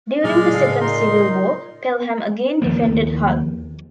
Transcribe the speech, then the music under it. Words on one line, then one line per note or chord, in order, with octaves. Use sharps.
During the Second Civil War, Pelham again defended Hull.
A#2 F#3 G#3 A3 D5 F6
A2 C#3 A4 F5
A#2 D#4 C6
D#2 F3 A#3